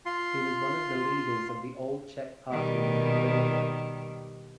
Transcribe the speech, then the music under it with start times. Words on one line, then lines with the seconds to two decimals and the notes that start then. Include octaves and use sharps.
He was one of the leaders of the Old Czech Party in Moravia.
0.06 F4 C6
2.50 B2 D#3 G3